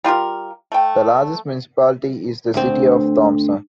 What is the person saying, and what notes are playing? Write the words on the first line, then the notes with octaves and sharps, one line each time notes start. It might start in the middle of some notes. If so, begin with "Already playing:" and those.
The largest municipality is the city of Thompson.
G3 F4 G4 A#4
A3 G5
D2 C4